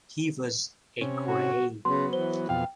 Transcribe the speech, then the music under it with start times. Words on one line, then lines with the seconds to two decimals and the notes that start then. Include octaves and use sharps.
He was a gray.
1.01 C3 C#4
1.26 F#4
1.85 C#3 F#3 B3 C6
2.12 E3 C5 G7
2.49 F2 B2 F5 G5